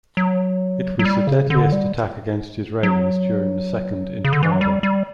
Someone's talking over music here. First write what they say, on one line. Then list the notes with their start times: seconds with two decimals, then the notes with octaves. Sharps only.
It was the deadliest attack against Israelis during the Second Intifada.
0.17 F#3
0.99 F#3
1.05 G3
1.27 C#3
1.50 D3
1.72 G3
2.83 F#3
4.25 C#3
4.33 D3
4.43 E3
4.52 F#3
4.61 G3
4.83 G3